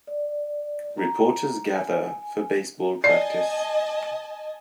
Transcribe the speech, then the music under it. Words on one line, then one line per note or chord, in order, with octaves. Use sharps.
Reporters gather for baseball practice.
D5
A#5
G#5
D5 D#5 G#5 A5 C7